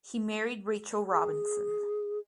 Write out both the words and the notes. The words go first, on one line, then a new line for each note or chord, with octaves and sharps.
He married Rachel Robinson.
G#4